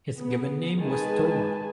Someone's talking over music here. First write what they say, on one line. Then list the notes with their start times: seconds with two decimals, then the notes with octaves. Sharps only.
His given name was Toma.
0.16 B3 G#4
0.80 D#3 G#3 G#4 B4 G#5 A5